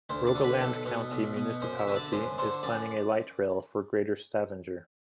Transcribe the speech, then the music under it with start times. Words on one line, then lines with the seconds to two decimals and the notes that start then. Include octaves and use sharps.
Rogaland County Municipality is planning a light rail for Greater Stavanger.
0.10 D2 C5
0.27 D5
0.35 D3
0.44 B4
0.61 B1 A4
0.86 B2
1.11 B1
1.36 B2
1.62 F#2 C5
1.79 E5
1.87 D3
1.96 D5
2.12 F#2 C5
2.38 D3 C5
2.63 F#2 D5